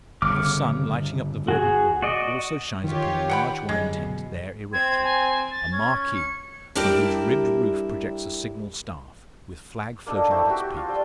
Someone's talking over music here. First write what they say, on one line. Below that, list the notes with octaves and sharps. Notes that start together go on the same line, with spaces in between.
For the sun, lighting up the verdant lawn, also shines upon a large white tent there erected--a marquee--from whose ribbed roof projects a signal staff, with flag floating at its peak.
G1 C#3 D6 F6
F#4 G#4
F#4 D5 D#5
D#3 F4 G4 C#5
F#5 G5 B5
G1 F#2 G3 G#3
B2
C4 G#6
G#5
A6
C#4 G#6
C#7
G3 D4 E4 G4 A#4 E5
A#3 D4 D#4 A4
A3 C4 E4
F#4 G4
F4
D5 G5